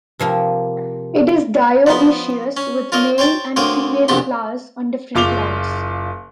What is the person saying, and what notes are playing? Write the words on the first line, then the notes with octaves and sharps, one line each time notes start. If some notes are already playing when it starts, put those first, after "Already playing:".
It is dioecious, with male and female flowers on different plants.
C3 F3 A#3
F3 B3 C6
C#4
F4 A#4 C#5 D#5
C5 C#5 G5 A5 C6
D2 A#3 C5 C#5 G5 D#6
A#1 E2 C3 F#4 G4 C6
F#1 F4 D6 F7 G7